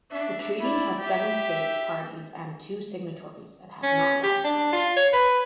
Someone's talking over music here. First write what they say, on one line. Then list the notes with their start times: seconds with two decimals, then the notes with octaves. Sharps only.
The treaty has seven states parties and two signatories that have not ratified.
0.11 D4 E5
0.59 E4 D5
1.00 G4 E5
3.83 C#4
4.23 G4
4.44 D4
4.73 F4
4.97 C#5
5.13 B4